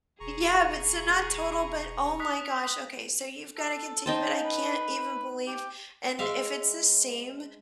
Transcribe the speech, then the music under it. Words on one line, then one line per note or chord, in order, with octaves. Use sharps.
Yeah, but so not total, but oh my gosh, okay so you've gotta continue, but I can't even believe and if it's the same
E1 G#4 A#5 C#6
D#6 F#6 B6
A4
D#4 C5 G5 A5
B4
G4
G#3 E5 F5